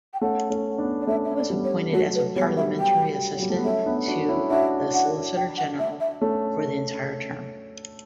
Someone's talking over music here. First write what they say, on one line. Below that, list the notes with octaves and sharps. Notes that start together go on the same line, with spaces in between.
He was appointed as a parliamentary assistant to the Solicitor-General for the entire term.
G5
A3 C#4 F#5
A3 C#4
B3 D4
D5
A3 C#4 E5
E5
D5
G3 B3
C#5
F#3 A3 F#4
B4
G3 B3 C#5
E5
G5
F#3
G3
A3
B3
A3 C#4 E5
B3 D4
D4 F#4
C#4 E4
D4 F#4 E5
F#5
G5
F#5
E5
E5
A3 C#4